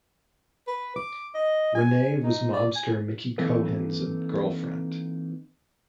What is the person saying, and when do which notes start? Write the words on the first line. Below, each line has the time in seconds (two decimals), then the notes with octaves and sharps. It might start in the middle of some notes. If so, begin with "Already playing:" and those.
Renay was mobster Mickey Cohen's girlfriend.
0.67 B4
0.96 D6
1.35 D#5
1.75 G#5
2.23 D#4
2.53 D5
2.76 G#5
3.38 E3 A#3 C4 D#4 A4 B4